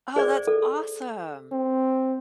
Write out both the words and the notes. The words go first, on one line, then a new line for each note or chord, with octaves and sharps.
Oh, that's awesome.
G#4 C5 D5
A4
C4